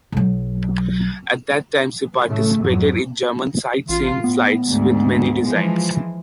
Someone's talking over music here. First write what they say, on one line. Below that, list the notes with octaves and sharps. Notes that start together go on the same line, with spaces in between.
At that time, she participated in German sightseeing flights with many designs.
B1 F#3
A2 C#3 A3
F2 G#2 F#3
A1 F4
A2 B3
D2 G#2
E3 F3 G#3